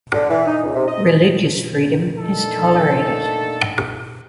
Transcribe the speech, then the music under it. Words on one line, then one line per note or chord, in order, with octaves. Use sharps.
Religious freedom is tolerated.
D3
E3
D#4
C#2
C3
D#5
A3 A#3 D4 D#4 A4